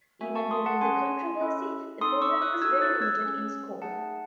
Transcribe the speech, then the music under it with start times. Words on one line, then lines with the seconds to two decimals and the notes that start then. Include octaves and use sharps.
Even during the controversy, the program was very limited in scope.
0.21 A3 C4 F#4 E5 G#5
0.35 A5 C#6
0.51 C6 D#6
0.66 F#5 A5
0.81 C#4 G#4 G#5 C6
1.41 C#4 E4 A4
2.01 C4 D#4 A4 C6 D#6
2.22 C#6 E6
2.42 D#6 F#6
2.61 D#4 F#4 A4 E6 G#6
2.81 F#6 A6
3.02 E6 G#6
3.21 C#4 G#4
3.82 A3 D#4 G#4 F#5 A5